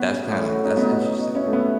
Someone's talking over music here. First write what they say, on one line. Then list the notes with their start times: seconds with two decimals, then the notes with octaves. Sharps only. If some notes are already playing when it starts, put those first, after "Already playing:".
That's kinda that's interesting.
Already playing: F#3 B3 F#4
0.10 C#3
0.28 A2
0.46 F#4
0.64 C#4 D#4
0.77 B3 D#4
0.90 C#4
0.99 B2
1.17 B2
1.35 C#4 E4
1.46 A3
1.53 B3 E4